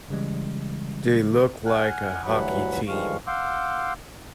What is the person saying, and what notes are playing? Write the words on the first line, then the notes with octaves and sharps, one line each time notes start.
They look like a hockey team.
C#3 E3 G3 G#3
F#5 G#5 F6 F#6
D2 G2 E3 F#3 F#5 B5
G2 D#3 F3 G#3 F5 C#6
F5 F#5 C6 D6 E6 G6